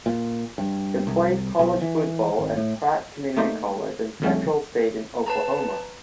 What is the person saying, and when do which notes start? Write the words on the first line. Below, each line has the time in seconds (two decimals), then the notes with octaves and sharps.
He played college football at Pratt Community College and Central State in Oklahoma.
0.06 A#2
0.58 G2
1.07 C2
1.59 B1
1.81 E3
2.39 G#1
2.56 A2
3.37 A3 A#3 D#4 C5 D5
4.22 F2 G#2 G3 A3 C#4
5.26 B4 A5 A#5